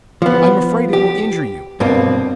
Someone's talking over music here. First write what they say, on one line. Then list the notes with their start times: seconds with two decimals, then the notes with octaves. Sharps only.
"I am afraid it will injure you."
0.22 F3 B3
0.93 G4
1.80 G2 B2 A#3 C4